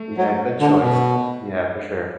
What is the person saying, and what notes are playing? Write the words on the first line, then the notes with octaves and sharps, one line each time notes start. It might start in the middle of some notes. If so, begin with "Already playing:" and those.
Yeah, good choice. Yeah, for sure.
Already playing: A3
F#3
D3
B2